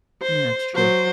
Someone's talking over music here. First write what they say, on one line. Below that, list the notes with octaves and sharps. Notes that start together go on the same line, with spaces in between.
Yeah, it's true.
C5
F#3 C5